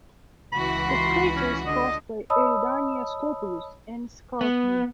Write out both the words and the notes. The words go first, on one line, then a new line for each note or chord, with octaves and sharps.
The crater is crossed by Eridania Scopulus, an escarpment.
C#2 E3 F#4 B5
C6
C#4
D3 D#5
C#5 D#5 A5 B5 D#6 E6
B3